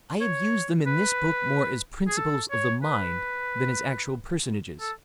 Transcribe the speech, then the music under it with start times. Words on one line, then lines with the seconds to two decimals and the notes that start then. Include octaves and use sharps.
I have used them in this book more as principles of the mind than as actual personages.
0.21 C#5
0.86 B4
2.08 G#4
2.17 A4
2.50 C#5
2.83 B4
4.80 A4